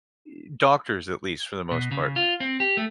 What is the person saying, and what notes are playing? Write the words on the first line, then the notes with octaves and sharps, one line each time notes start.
e doctors, at least for the most part,
B2
C#3
F4
C4
G4
A3